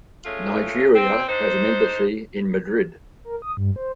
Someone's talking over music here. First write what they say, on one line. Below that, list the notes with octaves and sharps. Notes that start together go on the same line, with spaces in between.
Nigeria has an embassy in Madrid.
G#3 A3 C#4 F4
C4
D4 D#4 C5
A#4
D#6
G2
C5